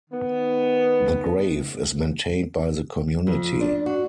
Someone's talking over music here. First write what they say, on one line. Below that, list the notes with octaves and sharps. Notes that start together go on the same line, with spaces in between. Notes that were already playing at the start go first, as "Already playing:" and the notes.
The grave is maintained by the community.
D#3 B3
F2
D4
F#4